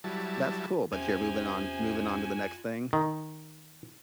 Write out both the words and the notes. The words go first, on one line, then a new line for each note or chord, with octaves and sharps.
That's cool, but you're moving on moving on to the next thing?
F#3 G3 E4 A5
E2 C3 C#4 F4 G5 G#5 G6
D#3